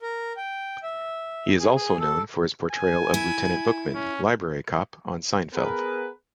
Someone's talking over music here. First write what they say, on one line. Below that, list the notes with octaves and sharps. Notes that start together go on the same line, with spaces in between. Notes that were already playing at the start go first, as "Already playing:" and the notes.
He is also known for his portrayal of Lieutenant Bookman, Library Cop on "Seinfeld".
A#4
G5
E5
G#4
G#4
A4
G#5
E4
C#4
B3 G#4 A#4 B4